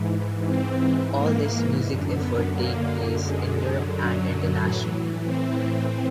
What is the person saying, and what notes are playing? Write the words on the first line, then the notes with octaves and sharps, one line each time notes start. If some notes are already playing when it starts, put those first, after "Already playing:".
All this music effort take place in Europe and internationally.
Already playing: G#2 E3
C4
A#3
F#2 D3
B3
A#3
G#3
G#3
F#3
A2 E3
C4